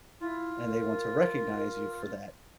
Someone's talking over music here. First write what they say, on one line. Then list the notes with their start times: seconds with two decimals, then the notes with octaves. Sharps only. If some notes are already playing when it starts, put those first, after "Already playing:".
and they want to recognize you for that.
0.21 E4 F4
0.65 A#4